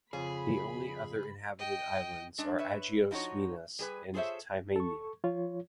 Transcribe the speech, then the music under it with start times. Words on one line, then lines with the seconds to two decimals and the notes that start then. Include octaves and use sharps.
The only other inhabited islands are Agios Minas, and Thymaina.
0.13 F2 C#3 G#4 B5
1.59 D#5 G5
2.38 G#3 D4
2.59 B4 C#5 E5
3.11 F3 D#4 E4 F#4 C#5
3.79 G3 G#4 B4
4.14 F4 G#4 A4 C5 C#5 E5
4.76 A4 C#6
5.24 F3 F4 C#5